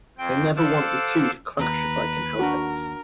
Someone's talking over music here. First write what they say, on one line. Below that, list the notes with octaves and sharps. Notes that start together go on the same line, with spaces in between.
I never want the two to clash if I can help it.
F2 C4 G5
A4 C5 F5 F#5 D6 E6
D#2 B4 A#5
D4 F#4 A#4